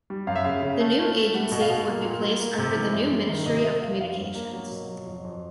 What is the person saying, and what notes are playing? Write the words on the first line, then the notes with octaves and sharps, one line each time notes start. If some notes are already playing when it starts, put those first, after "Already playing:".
The new agency would be placed under the new Ministry of Communications.
G3
F#2 F5
E5
C#3 F5
C#3
A3
A3
A3
G3 F#5
B2
F5
B2
A#3
A#2
G3
A#3
C3
E3
D#5
F#2 E5
G3
D#3
C3 D#5
C3 E5
F2 F5
G3 F5
G2
A#3
F#3
B2
F#3
F2
F2